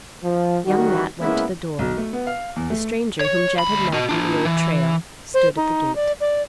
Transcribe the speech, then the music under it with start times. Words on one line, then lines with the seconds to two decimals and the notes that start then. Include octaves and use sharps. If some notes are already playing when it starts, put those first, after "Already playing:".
Young Matt went to the door. The stranger, whom Jed had met on the Old Trail, stood at the gate.
0.24 F3
0.66 A1 D#3 G3 F#4
1.20 C#3 G#3 A#3 B3 C#4 E4
1.79 B1
1.97 A3
2.13 B3
2.27 F5
2.56 E2
2.70 A3
3.21 C#5
3.59 D2 B5
3.94 F#4 D#5
4.09 D4 F4
4.45 E3
5.34 C5
5.56 D#4
5.96 D5
6.21 D5